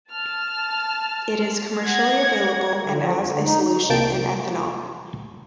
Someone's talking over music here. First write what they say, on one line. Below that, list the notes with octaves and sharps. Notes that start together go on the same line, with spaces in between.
It is commercially available and as a solution in ethanol.
A5 F6
F#5 G#6 A#6
D3
F3
F2
D3
D#4
C2 C3 A#3 G5 A5 D7